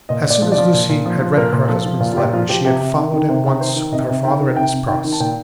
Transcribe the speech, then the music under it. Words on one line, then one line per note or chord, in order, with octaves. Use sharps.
As soon as Lucie had read her husband's letter she had followed at once with her father and Miss Pross.
A#2 D#5
A#2
D5
F3
D5
F3
A#2
A#2
F3
F3
A#2 A#4
A#2
F3 A4
F3
A#2 F4
F4
A#2 G4
F3 F4
F3 G4
C3 G4
C3
D#3
D#3
C3 C5
C3
D#3 C5
D#3
C3 D#5
C3
D#3 G5
D#3
C3 G5
C3
D#3 G5
D#3
A5
A#2 G5